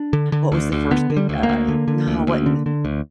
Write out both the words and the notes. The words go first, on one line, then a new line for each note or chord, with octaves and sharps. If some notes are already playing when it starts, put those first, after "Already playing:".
what was the first big, uh no, it wasn't
Already playing: D4
D3
D3
D2
D2
D3 B3
D3
G3
D2
A#3
D2
D3
D3
D2
D2
D3
D3
D2